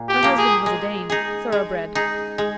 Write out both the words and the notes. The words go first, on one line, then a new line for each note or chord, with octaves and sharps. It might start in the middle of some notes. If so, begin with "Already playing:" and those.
Her husband was a Dane, thoroughbred.
Already playing: A#2
G4
F3 A#3
G#4
G#3
D#4 G#4
G#3
D#4 G#4
G#3